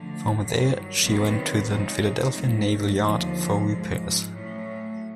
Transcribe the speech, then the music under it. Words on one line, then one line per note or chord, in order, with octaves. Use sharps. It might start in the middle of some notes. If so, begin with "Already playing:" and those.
From there, she went to the Philadelphia Naval Yard for repairs.
Already playing: D3 F3 A3
G2 D#3 F#3
C3 D#3 F#3 B3
C#3 F3 G#3 C4 D#4
G#2 D#3 F#3 A3
D#2 D3 F3
G#2 F3 G#3
A2 F#3 A3 C#4